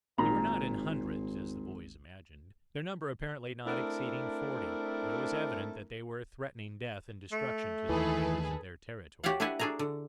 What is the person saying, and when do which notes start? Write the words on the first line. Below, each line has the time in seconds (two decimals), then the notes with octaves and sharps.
They were not in hundreds, as the boys imagined, their number apparently not exceeding forty; but it was evident that they were threatening death and destruction to the invaders of their territory.
0.18 G#1 A#2 D#4 A#5
3.66 A3 C4 D4 E4 A#4
7.32 A3
7.89 D#2 D#3 E3 G#4 A4 B4
9.24 F#4 G4 C#5 D5 F5 F#5
9.40 D4 E4 G4 B4 F#5 G#5
9.59 D4 F#4 G#4 A4 A#5
9.79 D3